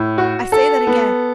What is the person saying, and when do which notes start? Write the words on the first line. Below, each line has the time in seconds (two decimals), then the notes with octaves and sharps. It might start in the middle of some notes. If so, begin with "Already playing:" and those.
I say that again.
Already playing: A2
0.18 F#4
0.52 A4
0.87 B3